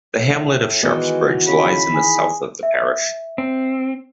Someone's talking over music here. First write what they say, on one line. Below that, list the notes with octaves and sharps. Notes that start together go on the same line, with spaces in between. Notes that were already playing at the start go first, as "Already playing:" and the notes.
The hamlet of Sharpsbridge lies in the south of the parish.
A2
D#3 E3 G#3 B3 F#4
C#3 B5
G#4
E5
C4